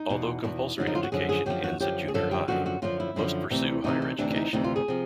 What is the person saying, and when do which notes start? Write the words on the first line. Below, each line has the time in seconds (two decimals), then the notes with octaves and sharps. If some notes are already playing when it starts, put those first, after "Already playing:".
Although compulsory education ends at junior high, most pursue higher education.
Already playing: D#4
0.10 E2 B2
0.44 E2 B2
0.78 F#2 D3 F3 D4
0.87 D#4
0.95 F4
1.03 F#4
1.12 F#2 D3 F3 G#4
1.29 G#4
1.46 F#2 D3 F3 G4
1.64 F#4
1.80 F#2 D3 F3 G4
2.08 G#4
2.14 F#2 D3 F3 A4
2.31 G4
2.48 F#2 D3 F3 F#4
2.66 F#4
2.82 F#2 D3 F3 F4
3.00 E4
3.16 F#2 D3 F3
3.50 D2 C3 E3
3.84 D2 C3 E3 D#4
4.02 D#4
4.18 D2 C3 E3 D4
4.31 D4
4.36 D#4
4.53 D2 C3 E3 D#4
4.64 F4
4.76 G#4
4.88 C3 F3